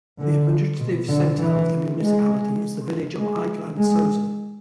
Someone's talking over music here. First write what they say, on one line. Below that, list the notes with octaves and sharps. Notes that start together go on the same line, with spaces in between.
The administrative centre of the municipality is the village of Eikelandsosen.
D3
B2
D3
E3
G#3
G#3
G#3